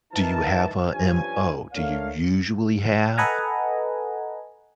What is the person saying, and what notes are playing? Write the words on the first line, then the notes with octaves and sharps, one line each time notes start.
Do you have a MO? Do you usually have
E3 D#4 A#4 A5
G2 F3 C#4 G#5
A3 D4 A#4 C#5 F5
A4 B4 D#5 F#5 G#5 A#5